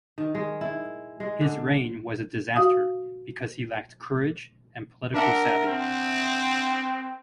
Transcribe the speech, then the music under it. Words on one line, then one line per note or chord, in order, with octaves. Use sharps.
His reign was a disaster because he lacked courage and political savvy.
D#3
G#3
E4
G#3
D3
F#4 F5 D#6 E6
D4 A#4 E5 F#5
C4